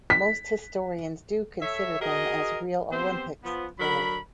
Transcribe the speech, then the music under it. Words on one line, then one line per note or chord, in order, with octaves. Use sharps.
Most historians do consider them as real Olympics, though.
B6
A4 C#5 E5
F#4 G#4 A#4 D#5
B3 C4 G4 C5
F3 B3
D3 F#3 A#4 B5